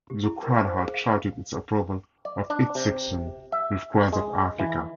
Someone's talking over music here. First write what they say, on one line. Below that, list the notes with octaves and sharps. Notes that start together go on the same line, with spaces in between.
The crowd had shouted its approval of each section with cries of Afrika!
G4
E4
A#4
F5
C5
G#4
F5
D5
D4
C3
E5
G#3
E3